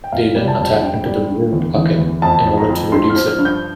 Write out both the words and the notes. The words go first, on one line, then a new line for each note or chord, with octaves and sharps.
They then attacked into the Ruhr Pocket, in order to reduce it.
G5
F2 F5
G3
A5
F2
G2 G5
G3
G2
E2
E3
E2
F2 A5
F3
A#5
F2
G2 C6
F6
F3
F6
G2
G6